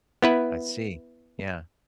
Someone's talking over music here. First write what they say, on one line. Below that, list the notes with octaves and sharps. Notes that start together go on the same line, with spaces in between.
I see. Yeah.
B3 E4 B4